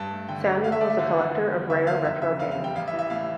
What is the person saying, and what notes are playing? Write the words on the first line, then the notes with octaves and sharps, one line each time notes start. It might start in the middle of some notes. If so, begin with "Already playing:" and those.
Samuel is a collector of rare retro games.
Already playing: G2 A5
A3
D3 G5
D4
D2 F5
E5
A3 D5
E5
D3 F5
D2
E2
G3
D3 E5
A#3 F5
F1 E5
C#3 E5
E2 F5
F5
G3
G5
A1 F5
E5
E3
E5
A2 F5